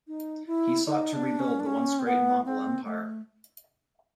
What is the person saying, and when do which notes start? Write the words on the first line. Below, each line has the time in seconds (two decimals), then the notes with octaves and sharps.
He sought to rebuild the once great Mongol Empire.
0.07 D#4
0.47 E4
0.87 D#4
1.13 D4
1.39 C#4
1.60 D4
1.66 C#4
1.99 C4
2.06 B3
2.45 C4
2.85 A3